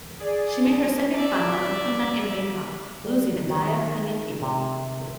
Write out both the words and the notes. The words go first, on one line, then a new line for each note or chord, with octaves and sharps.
She made her second final of her comeback in Bangkok, losing to Kaia Kanepi.
G#4 D5
D5 E5
G3
D#3
C3